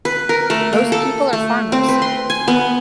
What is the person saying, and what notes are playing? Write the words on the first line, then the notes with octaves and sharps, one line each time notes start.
Most people are farmers.
B4
A#4
A3
A#3
A4
A3
C4
B4
C6
G#5
B3